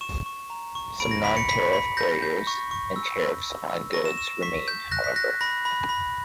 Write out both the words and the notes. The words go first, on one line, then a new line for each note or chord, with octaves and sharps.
Some non-tariff barriers and tariffs on goods remain, however.
C#6 E7
C#6
A#5
C#6
B5 D7
A#6
B5 B6
C#7
B5 B6
B5
G6 A#6
G6
C#6
C#6
E6
C#6
E6
E6
C#6 A#6
E7
C#6 E7
C#6 B6
G6
F#6 A#6
B6
F#6 A#6
B5 A#6
B5
B5